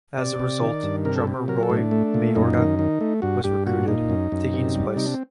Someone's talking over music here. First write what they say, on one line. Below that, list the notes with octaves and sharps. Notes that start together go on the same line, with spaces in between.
As a result, drummer Roy Mayorga was recruited, taking his place.
C3 D5
C3
D#3
G2
C3 A#4
A4
C3
F#3 A#4
A4
A2
D4
A3
A#2
F#2 D#4
D#3
D#3
A3
G2 F#4
G2 G4
A#2 F#4
A#2 D#4
F#2
F#2
C3
G3
C3 D#4
D4
C4